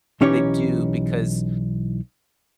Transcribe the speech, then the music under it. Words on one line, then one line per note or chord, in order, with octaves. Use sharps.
They do, because
B1 E3 C#4 D#4 G4 C#5